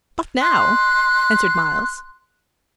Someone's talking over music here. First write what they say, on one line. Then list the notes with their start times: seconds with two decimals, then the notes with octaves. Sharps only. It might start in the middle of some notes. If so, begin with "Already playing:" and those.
"Not now," answered Myles.
0.41 C6 F#6